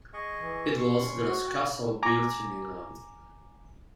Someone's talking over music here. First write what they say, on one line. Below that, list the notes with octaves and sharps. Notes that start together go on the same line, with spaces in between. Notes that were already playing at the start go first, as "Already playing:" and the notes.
It was the last castle built in England.
G#4 D#5 C#6
E3
C6 C#6
C#4
F#4
F#5 G5
G#5 A#5 D6